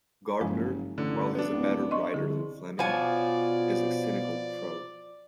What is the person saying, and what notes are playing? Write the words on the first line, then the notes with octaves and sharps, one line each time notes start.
Gardner, while he's a better writer than Fleming, is a cynical pro.
F#1 G2 F3 G#3
A1 D3
F#2 B3 D4
D1
D#5 C6 C#6
C2 D3 G#4
B2 F3 C#5 D5 F5 F#5 G#5 B5